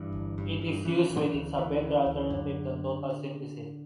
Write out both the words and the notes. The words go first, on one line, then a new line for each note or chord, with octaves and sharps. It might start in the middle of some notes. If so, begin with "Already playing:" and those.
It is used when it is a better alternative than total synthesis.
Already playing: G2 E3
G1
G2
G2
C#3 E3
C#3
D2
D2 E3
C#3
D2
F#2 D3